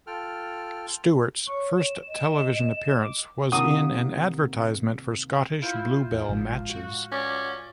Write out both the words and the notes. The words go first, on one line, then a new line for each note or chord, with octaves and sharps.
Stewart's first television appearance was in an advertisement for Scottish "Bluebell" matches.
F4 A4 G5 F6
C#5 C#6
E7
D#5
D6
C3 D#3 A#3 E4 F#5 D#6
E4 F4 C5
E2
G#1 A2 F3 G#3
F#4
C#4 D5